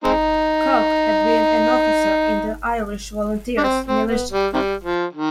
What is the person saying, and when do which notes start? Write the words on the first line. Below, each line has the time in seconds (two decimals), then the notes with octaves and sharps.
Cooke had been an officer in the Irish Volunteers militia.
0.04 G#3 C4 D#4
3.58 D4
3.64 C4
3.86 C4
4.08 B3
4.31 G3
4.53 C3 D#3 G3
4.84 F3
5.13 D#3